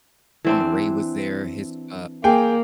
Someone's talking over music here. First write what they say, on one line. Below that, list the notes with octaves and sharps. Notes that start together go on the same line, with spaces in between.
Summer Ray was there, his uh
E3 C4 D4
A#3 G#4 G5